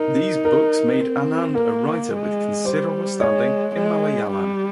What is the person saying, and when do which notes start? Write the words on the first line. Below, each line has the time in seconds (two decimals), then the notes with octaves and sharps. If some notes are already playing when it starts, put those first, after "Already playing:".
These books made Anand a writer with considerable standing in Malayalam.
Already playing: D#4 A#4
0.45 A#4
1.00 C4
1.55 A#3 A#4
2.10 G#3
2.65 G3 C5
3.21 G#3 C#5
3.76 G#3
4.31 G3